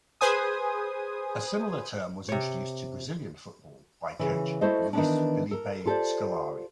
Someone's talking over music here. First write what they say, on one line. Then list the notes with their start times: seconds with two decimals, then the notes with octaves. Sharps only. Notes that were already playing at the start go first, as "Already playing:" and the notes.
A similar term was introduced to Brazilian football by coach Luis Felipe Scolari.
0.21 G#4 B4 C5 G#5 D#6
2.29 C3 C#5
4.19 C#3 E3
4.61 A3 E4 F#4 A4 C5 D#5
4.93 D#3 E3 A#3 B3 C#4 D4
5.51 A4 A#4
5.85 F4 G4 A4 A#4 C5 D5